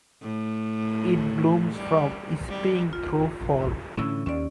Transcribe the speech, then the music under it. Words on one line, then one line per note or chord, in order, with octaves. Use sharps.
It blooms from spring through fall.
A2
G3
G3
F4
A2 D3 E3 C#4 E6
D#2 C#4 D5